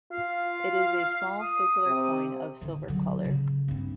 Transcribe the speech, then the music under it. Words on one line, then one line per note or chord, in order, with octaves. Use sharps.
It is a small, circular coin of silver colour.
F4 F5
D#6
C3
D3 D#3
D3 F#3
C#3
G2 C4